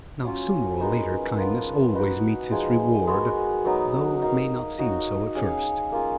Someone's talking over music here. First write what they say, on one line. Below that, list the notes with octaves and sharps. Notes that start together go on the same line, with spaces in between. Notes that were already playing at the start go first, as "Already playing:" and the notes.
Now sooner or later kindness always meets its reward, though it may not seem so at first.
F#3 C#4 F4
G#3 B3 D#4 A#4
F3 B3 F4 A#4
D#4 F#4 B4 D#5
F3 G#3 D#4 G#4
G#3 B3 F#4 A#4
F#3 B3 D#4
D#4 A#4 F5
D#4 F#4 C#5 F5
C#4 G#4 C#5 F5
A#3 F4 G#4